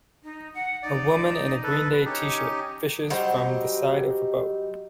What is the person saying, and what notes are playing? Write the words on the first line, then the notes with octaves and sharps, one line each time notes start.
A woman in a Green Day tshirt fishes from the side of a boat.
D#4
F#5
D#4 D5
A4 B4
C#4 D#4 G4
F#3 G3 D#4 C5